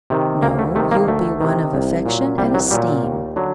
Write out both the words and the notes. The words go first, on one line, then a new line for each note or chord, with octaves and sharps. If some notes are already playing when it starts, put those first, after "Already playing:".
"No, you will be one of affection and esteem."
C3 D#3
D2 A#3
A3
C3 D#3 A3
A#3
D2 A3
C3 D#3
C2
A#2 F#3
C2 G3
F#3
A#2 F#3 G3
D#2
D3 F#3